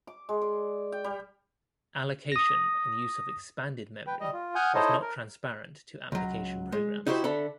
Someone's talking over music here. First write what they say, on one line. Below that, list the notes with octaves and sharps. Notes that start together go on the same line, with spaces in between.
Allocation and use of expanded memory was not transparent to application programs.
D6
G#3
D5
G5
G3
D#6 A#6
B4 G5
G3 D#5
F4
F#5 G#5 D#6 F6 G6
D#4 E4 A4 C5 C#5 D#5
A#4
C#2 F#3
G#3
D#4 E4 F#4 G4 A#4 C5
D3 A4 E5 B5